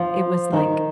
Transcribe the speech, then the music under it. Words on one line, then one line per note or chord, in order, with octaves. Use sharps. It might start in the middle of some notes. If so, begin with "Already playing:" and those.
it was, like
Already playing: F3 F4
D#3 D#4